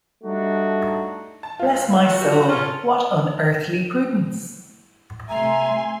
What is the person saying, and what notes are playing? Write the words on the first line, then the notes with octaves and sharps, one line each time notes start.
Bless my soul, what unearthly prudence!
G3 A3 D4 D#4 F#4
A5
C#2 F4
F#4
F3 F4 G4
C#4 F4 A4 A#4
C3 A3 E5 G#5 A#5 C6